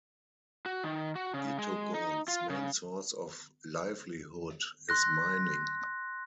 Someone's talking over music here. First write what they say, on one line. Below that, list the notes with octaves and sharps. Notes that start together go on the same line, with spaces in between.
Itogon's main source of livelihood is mining.
F#4
D#3
F#4
C#3
G#3
D#4
F4
C#3
C6 F#6 A#6